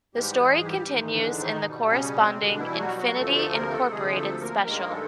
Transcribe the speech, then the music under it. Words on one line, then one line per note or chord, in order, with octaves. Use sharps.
The story continues in the corresponding Infinity Incorporated special.
G#2 E3 G3 G#3 G4
G#3 G#4
G3 G4
G#2 D#3 E3 G#3 D#4
D3 D4
D#3 D#4
B2 G3
C#3 C#4
C3 C4
B2 D3 G3 D4
E3 E4
F#3 F#4
F#3 F#4
D2 C3 F3 A3 A4
A3 A4
A#3 A#4
A3 A4
D2 C3 F3 G#3 G#4
A3 A4
A#3 A#4
G2 D#3 G#3 A#3 A#4
A3 A4